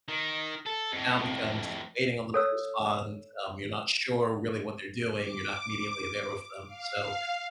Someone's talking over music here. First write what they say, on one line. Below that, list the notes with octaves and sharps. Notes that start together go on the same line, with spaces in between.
now becomes waiting on them to respond, um, you're not sure really what they're doing, you're not immediately there with them, so
D#3
A4
F2 A2
A4 C#5 E6
D6
F5